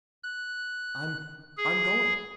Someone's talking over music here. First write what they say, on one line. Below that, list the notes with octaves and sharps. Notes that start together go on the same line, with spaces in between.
I'm--I'm going!
F#6
G#4